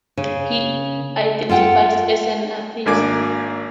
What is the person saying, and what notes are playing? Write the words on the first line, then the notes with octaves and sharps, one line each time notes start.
He identifies as an atheist.
C#3
F4 A4 F#5 G5
G#1 A#3 D4 G#5 D6